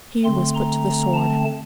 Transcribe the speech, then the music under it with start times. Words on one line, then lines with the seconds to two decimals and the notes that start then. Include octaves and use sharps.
He was put to the sword.
0.24 D3 A3 C4 C6
0.54 A#5
1.14 A5